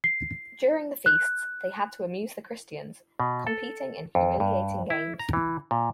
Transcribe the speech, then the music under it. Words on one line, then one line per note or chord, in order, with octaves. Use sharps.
During the feasts they had to amuse the Christians, competing in humiliating games.
C7
F#6
B2
A4
F2
G2
E4
A#5
E3
A#2